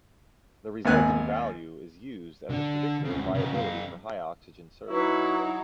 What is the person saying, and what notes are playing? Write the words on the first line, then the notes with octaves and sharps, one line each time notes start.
The resulting value is used as a predictor of viability for high-oxygen service.
G#1 D#2 B3 G#5 F#6
D3 D4
D2 C#3
C#3 B3
F#2 F5
F#3 D#4 E4 B4 C#6 E6